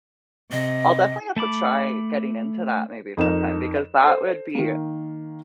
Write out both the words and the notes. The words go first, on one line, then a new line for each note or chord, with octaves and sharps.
I'll definitely have to try getting into that maybe sometime because that would be
C3 D#5
A3 A5 B5 D6
F2 D#4 A#4 E7
A4 C5
D#3 A#3